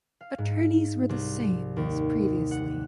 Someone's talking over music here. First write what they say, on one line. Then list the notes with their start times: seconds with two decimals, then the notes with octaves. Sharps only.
Attorneys were the same as previously.
0.21 F5
0.38 G#2
1.09 C2
1.77 D#2
2.51 F#5